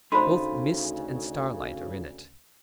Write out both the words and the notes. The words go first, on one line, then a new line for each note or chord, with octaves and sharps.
Both mist and starlight are in it.
D2 C#3 A3 D#4 C5 B5 C6